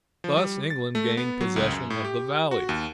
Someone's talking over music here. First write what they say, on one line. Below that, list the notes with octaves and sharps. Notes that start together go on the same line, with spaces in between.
Thus England gained possession of the valley.
F3
G3
A6
A3
B3
F#3
C#2
F#2
A2
G4
F#4
D#2